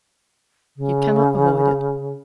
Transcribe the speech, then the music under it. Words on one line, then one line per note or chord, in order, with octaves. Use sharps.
You cannot avoid it.
C#3